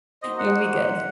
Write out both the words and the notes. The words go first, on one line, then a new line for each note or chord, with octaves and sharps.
It'll be good,
A#3 D#4 F#4 C5 D#5
F#5